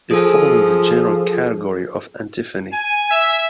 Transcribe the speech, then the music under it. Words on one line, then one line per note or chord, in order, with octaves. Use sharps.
It falls in the general category of antiphony.
F3 G#4 A4 G#5
G#5
E5